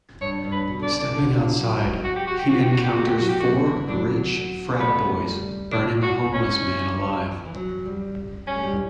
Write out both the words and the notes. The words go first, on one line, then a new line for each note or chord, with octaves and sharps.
Stepping outside, he encounters four rich frat boys burning a homeless man alive.
G2 C#5
G2
B4
B2
D3 D5
C#3
D3
F#3
F#4
G4
F#4
G4
F#4
G4
F#4
G4
A3 F#4
G4
F#3 F#4
G4
F#3 F#4
E3
F#3 D4
A3 B3
G3
D4
F#4
C#4
E3
F#3
G3
G3 C#4
A3
G3